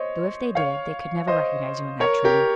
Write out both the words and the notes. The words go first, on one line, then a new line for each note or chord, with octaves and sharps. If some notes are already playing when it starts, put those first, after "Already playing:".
Though if they did, they could never recognize you in that trim.
Already playing: C5 C#5 D#5
C#5 F5
C5 D#5
A#4 C#5
G4 A#4